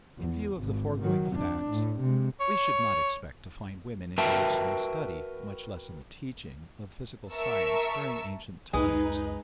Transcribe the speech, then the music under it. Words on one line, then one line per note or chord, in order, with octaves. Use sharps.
In view of the foregoing facts, we should not expect to find women engaged in the study, much less in the teaching, of physical science during ancient times.
E2
G#1
D#3 F#3
F2 D4
A2
C3 G#3
C#5
F#4 A#4 B4 E5 G5 A5
A#4 E5 A5 C#6 E6
C#2 F#2 G#3 D#4 G#4 B4